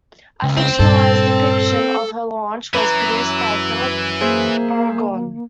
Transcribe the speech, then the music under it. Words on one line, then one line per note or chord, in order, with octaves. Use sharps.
A fictionalised depiction of her launch was produced by Philip Burgoyne.
C#2
G#3 C4
G2 A#2 A4
F#2 E3 B4 A#5 D#7
A#3 G#4 C5 E5